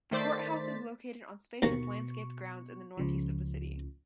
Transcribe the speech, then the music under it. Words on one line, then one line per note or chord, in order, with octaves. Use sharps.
The courthouse is located on spacious landscaped grounds in the northeast of the city.
D#3 A3 C5 D5 A6 B6
D#2 B2 A#3 A#5 C#6
C#2 C#3 F3